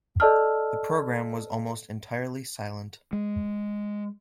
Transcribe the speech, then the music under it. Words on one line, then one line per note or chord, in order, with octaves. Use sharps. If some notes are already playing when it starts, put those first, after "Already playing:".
The programme was almost entirely silent.
A4 D5 D#5 A5 E6 F6
G#3